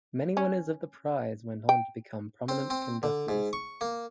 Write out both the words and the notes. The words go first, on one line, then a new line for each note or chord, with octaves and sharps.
Many winners of the prize went on to become prominent conductors.
C#4
G5
C4
C4
D3
G#2
C#6
A#3